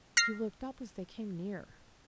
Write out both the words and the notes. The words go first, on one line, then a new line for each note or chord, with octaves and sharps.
He looked up as they came near.
F6 A#6 C7